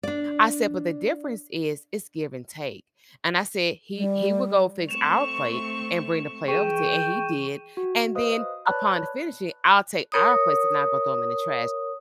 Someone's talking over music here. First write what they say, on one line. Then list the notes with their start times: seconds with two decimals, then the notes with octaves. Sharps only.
I said, "But the difference is, it's give and take." And I said, "He he will go fix our plate, and bring the plate over to you," and he did, and then, upon finishing, I'll take our plates and I'll go throw them in the trash
0.03 D4 D5
3.96 G3
4.89 A3 C4 C#6 E7 F7
6.48 E3 G#4 G5 C#6 D#7 E7
7.77 F#4
8.15 B4 C5 D#5 F5 D#6
8.66 B4 C#5 D5 A5 B5 F#6
10.12 A#4 C#5 D#6